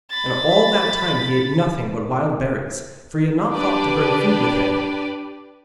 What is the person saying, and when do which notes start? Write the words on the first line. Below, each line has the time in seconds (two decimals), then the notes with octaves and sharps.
And all that time he ate nothing but wild berries, for he had not thought to bring food with him.
0.10 B5 A6
3.52 D4 G4 B4 D5